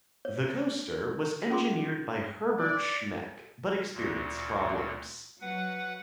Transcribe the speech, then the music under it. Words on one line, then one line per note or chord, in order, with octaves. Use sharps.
The coaster was engineered by Herbert Schmeck, but experienced problems.
C#5
C#4 F4 G#4 C6 D6
D5
D2 A#2
F#3 B4 F#5